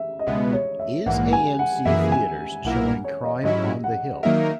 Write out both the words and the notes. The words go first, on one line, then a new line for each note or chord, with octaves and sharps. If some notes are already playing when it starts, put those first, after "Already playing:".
Is AMC Theaters showing Crime on the Hill?
Already playing: E5
D#5
C#2 B2 G#3 B3 E5
C#5
E5
A#1 G#2 E3 A#3 F#5
G#5
F#5
F#2 E3 A#3 E4 G#4 E5
G#5
B1 A#2 A#3 E4 A#4 F#5
C#5
D#5
G#2 F#3 C#4 E4 D#5
F#5
D#3 F#3 A#3 D#4 A#4 E5